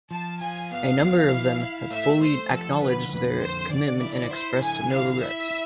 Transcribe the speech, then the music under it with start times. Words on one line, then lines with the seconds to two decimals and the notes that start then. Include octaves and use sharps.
A number of them have fully acknowledged their commitment and expressed no regrets.
0.11 F3 A5
0.41 F4 G#5
0.71 B3 F5
1.01 F3
1.31 E4
1.60 E4
1.91 A3 E5
2.21 A3 C5
2.51 F3 A4
2.81 D3 B4
3.11 F2 B4
3.40 D3 C5
3.71 D3 D5
4.01 E4
4.31 E4 C5
4.61 D3 G#5
4.91 E4 F5
5.20 E4 E5
5.51 E4